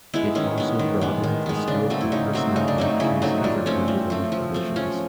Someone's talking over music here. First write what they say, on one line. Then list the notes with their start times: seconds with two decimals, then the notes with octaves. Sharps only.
It also broadened the scope of personnel actions covered under those provisions.
0.14 G#3 B3 E4
0.35 D#3 C#4
0.58 G#3 B3
0.79 D#3
1.01 G#3 B3
1.23 D#3
1.46 G#3 B3
1.67 C#3 D4
1.90 F#3 A3 C4
2.01 E4
2.12 C#3 D#4
2.33 F#3 A3 C4
2.56 C#3 D#4
2.68 D4
2.78 F#3 A3 C4 D#4
3.00 C#3 E4
3.22 F#3 A3 C4 D#4
3.44 F3 D4
3.66 A3 C4 C#4
3.88 F3
4.10 A3 C4
4.32 F3
4.54 A3 C4
4.76 F3 C#4